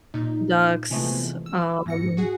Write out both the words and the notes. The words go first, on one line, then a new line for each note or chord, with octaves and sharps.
ducks, um,
A#2 D#4
C3 E3 F3 G#3 A3 B3
E6
G#2 A#6 C#7
F#4 G#4 F#5